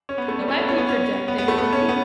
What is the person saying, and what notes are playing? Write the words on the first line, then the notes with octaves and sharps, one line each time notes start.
You might be projecting.
C#4
B3
A3
G3
A3
B3
C#4
B3
C#4
B3
B3
A3
B3
C#4
B3